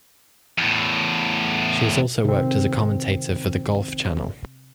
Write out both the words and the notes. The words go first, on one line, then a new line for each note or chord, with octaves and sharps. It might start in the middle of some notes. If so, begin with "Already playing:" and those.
She has also worked as a commentator for the Golf Channel.
E2 A2
C3 D#3 C4